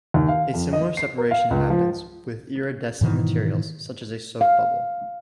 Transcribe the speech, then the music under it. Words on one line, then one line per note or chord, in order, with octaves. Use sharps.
A similar separation happens with iridescent materials, such as a soap bubble.
D#2
F5
F2
D#5
C7
A#4
F5
C#2
F3
G#2 B2 D#3 E3
F5